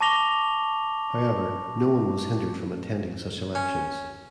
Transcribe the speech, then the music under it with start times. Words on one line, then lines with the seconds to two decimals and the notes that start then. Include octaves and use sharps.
However, no one was hindered from attending such elections.
0.01 A5 C#6 D6 A#6 F7 G7
3.55 C#4